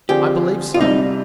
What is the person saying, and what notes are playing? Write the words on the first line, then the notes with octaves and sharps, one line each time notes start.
"I believe so."
D3 F3 C4 F4 G4 G#4
F4
C2 C3 G3 D#4